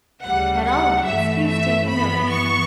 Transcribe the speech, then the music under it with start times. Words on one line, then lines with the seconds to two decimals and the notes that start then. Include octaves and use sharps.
"At all events, he's taking notice."
0.24 D2 C#3 G3 F#5
0.66 F#5
1.08 G2 E3 A3 E5
1.49 E5
1.91 G2 E3 B3 B5
2.33 C#6